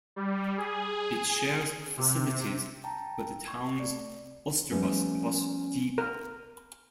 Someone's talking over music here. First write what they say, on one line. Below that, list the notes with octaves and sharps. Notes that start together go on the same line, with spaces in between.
It shares facilities with the town's Ulsterbus bus depot.
G3
G#4
C3
G5 A5 A#5
C#6 G#6
A3 D5
F3 G3 A3 B3 C#4
A#4